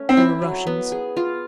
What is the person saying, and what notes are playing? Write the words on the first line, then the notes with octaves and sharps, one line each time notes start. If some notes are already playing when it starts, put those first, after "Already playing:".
They were Russians.
Already playing: A3 C#4
C4
E4
F#3
B3
G#4
F4